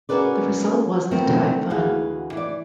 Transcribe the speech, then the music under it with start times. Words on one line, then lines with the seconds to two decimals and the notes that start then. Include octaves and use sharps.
The result was the Taifun.
0.09 C#4 F#4 G#4 A#4 B4 D5
1.11 A3 B3 C4 A#4
1.70 D2 E3 F#4 G#4 F5 F#5
2.32 E3 D5